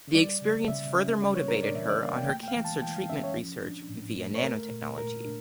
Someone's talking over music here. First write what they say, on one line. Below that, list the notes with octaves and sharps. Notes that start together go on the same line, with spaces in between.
The experience further motivated her on her cancer treatment research via nanotechnology.
G3 D5
C#3
C#3 E5
C#4
G3 D5
C#5
D4 A#4
D5
E3 E5
D5
A#3 F5
G5
A3 G5
G5
F5
E3
A5
E3 G5
F5
C#4 E5
C#5
F3
D4
A2
A3
C#5
A3 A#4
A#2
A#2 A#4
D4